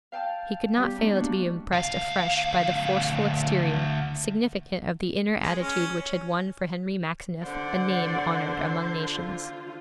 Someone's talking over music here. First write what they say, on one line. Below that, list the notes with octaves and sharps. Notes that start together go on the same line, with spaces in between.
He could not fail to be impressed afresh by the forceful exterior, significant of the inner attitude which had won for Henry Maxineff a name honored among nations.
F5 G5 A5 F6
G3 B3 G4
B3 D4 D#4
G#3 A#3 D4 F#4
D2 F5
G#3
C#4
D3 C5 D5 F#5
F4